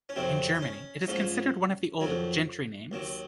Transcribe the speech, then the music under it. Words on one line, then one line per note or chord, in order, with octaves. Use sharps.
In Germany it is considered one of the old "gentry names".
C#4
F2 C3 D#3 F#3 C4
D#4
C#4
D#4
G#2 F3 G#3 C#4
F2 D#3 F#3
D#2 D#3 F#3